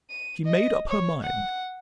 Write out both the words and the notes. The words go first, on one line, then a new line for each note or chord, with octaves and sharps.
She made up her mind.
D#7
D#5
C#5
F#5